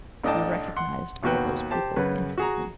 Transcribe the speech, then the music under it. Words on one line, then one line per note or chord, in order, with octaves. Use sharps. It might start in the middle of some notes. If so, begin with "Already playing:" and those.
He recognized all those people instantly.
A1 D4 D#5 G5 A5
F#5 C6
D#2 B2 F#4 B4 G5 F#6
G4 C5 A5
F#2 C#3 B4
F#4 G#4 A#5